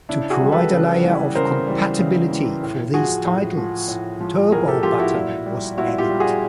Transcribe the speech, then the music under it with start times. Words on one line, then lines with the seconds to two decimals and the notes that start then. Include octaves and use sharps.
To provide a layer of compatibility for these titles, the "turbo" button was added.
0.09 C#3 D4 E4
0.30 F#4 G#4
0.41 G3
0.46 E3
0.52 A4 B4
0.73 C#3
1.05 E3 G3
1.35 C#3 A#4 C5
1.67 E3 G3
1.99 C#3
2.31 E3 G3
2.63 A2
2.94 F3 F#4 G#4
3.25 A2
3.57 F3
3.88 A2
4.21 F3
4.52 A2 G#4 A#4
4.68 G4 A4
4.83 F3 F4 G4
4.99 E4 F#4
5.14 A#2
5.46 G3
5.78 A#2 E4 F#4
5.98 F4 G4
6.10 G3
6.20 F#4 G#4